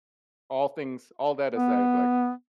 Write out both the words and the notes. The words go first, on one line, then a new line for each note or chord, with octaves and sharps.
all things all that aside, like,
B3